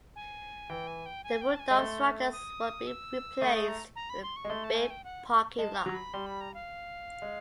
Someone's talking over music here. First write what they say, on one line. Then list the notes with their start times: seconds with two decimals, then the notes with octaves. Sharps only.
The Rudolph structures would be replaced with a big parking lot.
0.16 G#5
0.70 E3 G5
0.87 G#5
1.06 G5
1.24 G#5
1.41 G5
1.55 A5
1.59 G#5
1.71 G#3
1.78 A3 C6
2.33 D#6
2.87 E6
3.41 A3 D#6
3.55 D#6
3.68 A#5
3.96 A#5
4.10 B5
4.23 C6
4.36 C#6
4.44 G#3
4.49 A3 C6
4.64 A5
4.77 G#5
4.90 G5
5.04 F#5
5.58 G#3 A5
5.77 A#5
5.86 F#3
5.94 B5
6.13 G3 C6
6.26 B5
6.41 A#5
6.54 F5
7.22 G#3